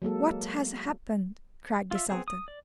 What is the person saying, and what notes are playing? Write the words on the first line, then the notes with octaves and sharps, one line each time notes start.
What has happened?' cried the Sultan.
F#3 G#3 A#3 A4
F4 E5
B3 C4 G#4
D#6
D5